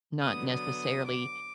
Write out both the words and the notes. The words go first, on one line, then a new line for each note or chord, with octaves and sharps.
not necessarily
D3 F#3 B3 D#6
D#6
D6